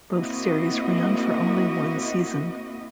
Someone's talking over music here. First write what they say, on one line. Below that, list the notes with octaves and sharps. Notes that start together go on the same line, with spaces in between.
Both series ran for only one season.
A#3 C4 E4 F#4 D#5